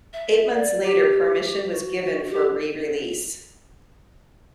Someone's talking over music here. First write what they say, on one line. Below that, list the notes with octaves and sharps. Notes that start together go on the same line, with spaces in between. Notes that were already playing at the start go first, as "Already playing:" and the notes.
Eight months later permission was given for re-release.
E5
D5
G4
F#4
G4